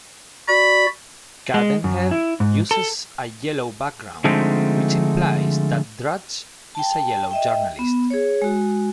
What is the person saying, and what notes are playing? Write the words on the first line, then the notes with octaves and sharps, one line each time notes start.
Cadenhead uses a yellow background, which implies that Drudge is a yellow journalist.
F#4 D5 B5
G#3
F#2
E4
G#2
A4
D3 F3 G#3 A3 C4 D#4
G5 A5
D#5 E5 G5
B3
G#4 C#5
G#3 F#4